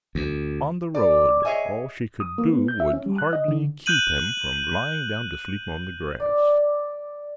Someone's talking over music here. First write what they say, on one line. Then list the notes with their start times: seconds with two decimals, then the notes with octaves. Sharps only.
And on the road all she could do would hardly keep him from lying down to sleep on the grass.
0.15 D2
0.95 D5
1.45 G#4 C#5 D#5 E5 G#5
2.20 D#6
2.38 A#3
2.53 B3
2.68 G6
2.80 E5
2.93 C#4
3.06 G3
3.18 F#6
3.33 D#5
3.48 D3
3.86 F#6 G6 D#7 F#7
6.20 D5